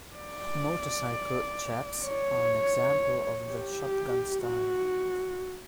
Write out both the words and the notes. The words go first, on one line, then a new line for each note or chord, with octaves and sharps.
Motorcycle chaps are an example of the shotgun style.
D5
C#5
G4
F#4